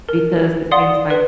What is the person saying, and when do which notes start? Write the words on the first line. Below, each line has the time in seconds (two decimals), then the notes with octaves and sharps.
because it seems like
0.09 A#4
0.71 D5 F5 F#5 C6 D#6
1.10 B4